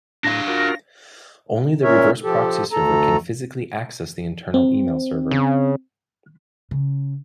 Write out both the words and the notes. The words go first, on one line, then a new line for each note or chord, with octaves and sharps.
Only the reverse proxy server can physically access the internal email server.
A2 D4 F5 A#6
F4 F#4 A#4
A#2 C#4 A#4 C#5 E5
F3 G4 A4
D2 A4 A#5
C4
C#3
C#3